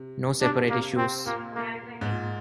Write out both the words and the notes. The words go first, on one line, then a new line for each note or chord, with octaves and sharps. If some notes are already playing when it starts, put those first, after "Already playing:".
No separate issues.
Already playing: C3
C3 D4
A#3
C4
A#2 A#3
A#3
G#2
A#2